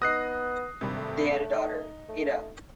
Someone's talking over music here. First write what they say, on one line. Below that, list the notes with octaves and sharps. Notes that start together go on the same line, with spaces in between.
They had a daughter: Itta.
B3 D#4 D#6 F#6 A#6 C7
G#1 G2 C3 D#3
A3
D#4
A3